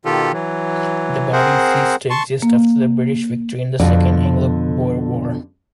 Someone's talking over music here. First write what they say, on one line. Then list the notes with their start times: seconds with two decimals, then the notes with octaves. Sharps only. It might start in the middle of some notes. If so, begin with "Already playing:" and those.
The body ceased to exist after the British victory in the Second Anglo-Boer War.
0.05 B2 D#3 F4 G4 A4
0.33 E3 F#3
1.33 C4 G#4 A#4 C5 F#5
2.10 A5 C6 C#6
2.42 A#3
3.79 F2 B2 D3 F4 D5